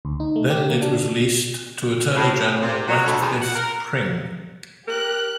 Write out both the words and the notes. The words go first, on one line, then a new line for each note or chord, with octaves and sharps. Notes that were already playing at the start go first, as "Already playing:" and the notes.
Then it was leased to Attorney-General Ratcliffe Pring.
D2
D#4
A3
G4
A#3
D4
D3
A2
E2
C3
F#3
D2
E2
F#5
A#4
G4 A#4 F#6